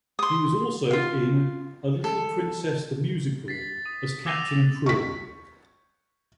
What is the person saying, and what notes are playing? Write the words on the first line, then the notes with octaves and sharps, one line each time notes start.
He was also in "A Little Princess the Musical" as Captain Crewe.
C6 D#6
F4 F5
A4
A6 B6 C7
D#6 D#7
D6 E6 A#6 C7 D#7 F7
C#6 B6